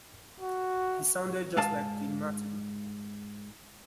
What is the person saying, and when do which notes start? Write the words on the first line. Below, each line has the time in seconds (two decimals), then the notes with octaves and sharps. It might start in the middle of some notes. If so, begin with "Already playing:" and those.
He sounded just like Dean Martin.
0.40 F#4
1.57 G#2 F5 A5